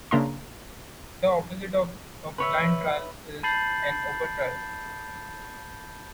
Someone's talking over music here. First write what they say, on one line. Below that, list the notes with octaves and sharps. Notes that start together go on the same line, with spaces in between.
The opposite of a blind trial is an open trial.
C#3 A#3 D4 E5 A#5 C6
B4 C#5 E5
A5 B5 G6 A6 C7 F#7